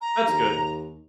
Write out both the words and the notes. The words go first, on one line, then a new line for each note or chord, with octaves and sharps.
That's good.
A#5
D#2